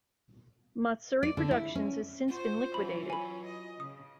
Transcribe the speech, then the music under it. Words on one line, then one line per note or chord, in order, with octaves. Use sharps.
Matsuri Productions has since been liquidated.
D5
D3
E4
C#4
F4 F#4 C5
E3 F#3 C#4 B5
G#5 B5
D#5
C#3 D#6